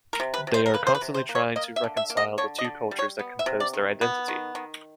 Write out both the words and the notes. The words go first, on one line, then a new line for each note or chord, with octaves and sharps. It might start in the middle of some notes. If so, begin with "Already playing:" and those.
They are constantly trying to reconcile the two cultures that compose their identity.
A#4
C3
B4
C3
C5
A#4
A#3 B4
C5
B4
C3
C5
A#3
C#5
A#3 D#5
E5
D3
E5
A#3
D#5
D3 C#5
D#5
D3
G3
C#5
B3
E5
C3
D5
D#3
B3
D#3
D#3